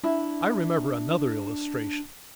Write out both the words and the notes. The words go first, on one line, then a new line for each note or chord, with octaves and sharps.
I remember another illustration.
D4 E4